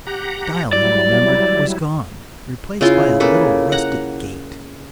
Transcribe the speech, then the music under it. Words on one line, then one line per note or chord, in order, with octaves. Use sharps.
The stile he remembered was gone, replaced by a little rustic gate.
G4 F#5 A#5
F#3 G3 E4 D5
C#3 E4 F4 C6
C#3 A#3 A4 B4
F#5 A#5